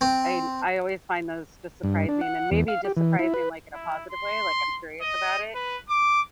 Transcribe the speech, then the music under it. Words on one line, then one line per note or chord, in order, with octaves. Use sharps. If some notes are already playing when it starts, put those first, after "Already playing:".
I I always find those just surprising and maybe just surprising, like, in a positive way, like, I'm curious about it.
C4
G2
D4
F#5
E2
F5
G4
E3
E4
B4
E4
C6
D#5
B4
D6